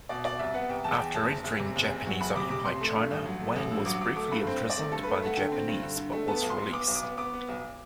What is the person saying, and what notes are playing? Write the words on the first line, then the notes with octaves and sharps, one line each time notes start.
After entering Japanese-occupied China, Wang was briefly imprisoned by the Japanese, but was released.
B2 D5
B2 D5
C2 E5
B3 F#5
C2 G5
E2 A5
E2 G5
F#1 A5
F#1
F#1
C3
F#1
E2
F#3
F#1 B5
C3 D6
C3 D6
A1 C6
A3
G2
A1
F#3
A3
A1
G2 E6
F#3 D6
F#3 D6
A3 D6
G2 B5
C4 C5
C4
D5
A3
G2 A4
A3 B4
A3 F#5
D3 G5
C4
G2
D3
D3
A3
B3 A5
B1
C6
B1
B3 D6
B1
D6
B3
B3 D6
B3
B1